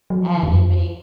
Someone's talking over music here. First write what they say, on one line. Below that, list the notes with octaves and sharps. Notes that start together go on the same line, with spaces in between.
And it make
F#3
F3
D#3
F2
F#2
F2